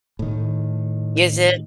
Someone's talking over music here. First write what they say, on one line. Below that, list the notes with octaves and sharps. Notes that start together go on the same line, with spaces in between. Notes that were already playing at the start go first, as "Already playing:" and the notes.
Is it?
A2 D#3